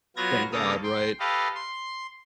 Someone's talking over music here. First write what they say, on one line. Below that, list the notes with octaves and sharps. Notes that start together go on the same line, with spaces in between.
Thank god, right?
F#3 B3 F4 G#6 A#6
C#3 A#3 A4 A#5 D#6
G5 C6
G4 A4 B4 D#5 F5
C6